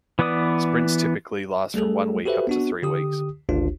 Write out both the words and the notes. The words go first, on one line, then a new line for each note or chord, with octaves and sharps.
Sprints typically last from one week up to three weeks.
E3 B3 B4 D5 D#6
G3 A3 G#4 A4
F#4 G4 A4 B4 C5 E5
B3 D4 F#4
D3 G4 D#6
G#1 D2 D4 F4